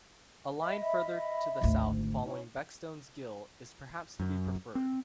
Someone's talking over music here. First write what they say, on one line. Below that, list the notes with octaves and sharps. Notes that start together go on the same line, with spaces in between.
A line further to the south following Beckstones Gill is perhaps to be preferred.
D#5 E5 B5
G#1 D2
C#4 D#4 E4
F#2
C4